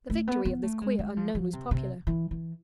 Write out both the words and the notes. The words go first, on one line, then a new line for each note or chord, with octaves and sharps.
The victory of this queer unknown was popular.
A3
B3
B3
A3
G#3
G#3
F3
F3
C3
C3
E3
E3